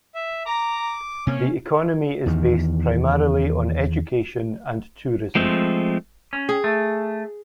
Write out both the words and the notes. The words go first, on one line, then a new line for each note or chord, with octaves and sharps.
The economy is based primarily on education and tourism.
E5
A#5 D6
C3 A#3 C#4
E2 D#3
F3 G#3 A3 C4
C#4
G#4
A3